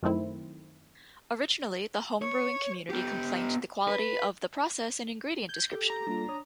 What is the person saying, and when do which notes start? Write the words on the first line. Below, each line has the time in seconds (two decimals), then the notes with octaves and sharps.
Originally, the homebrewing community complaint the quality of the process and ingredient description.
0.03 F#2 D#3 A3 C4 E4
2.22 C#5
2.90 B3 G4
3.88 B4
5.49 G6 G#6
5.72 G4 A4
5.90 A#5
6.07 G3 A#3 D4 F4
6.29 C#5 D#6